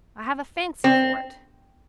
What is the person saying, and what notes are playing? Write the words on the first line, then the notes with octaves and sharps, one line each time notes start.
I have a fancy for it.
C4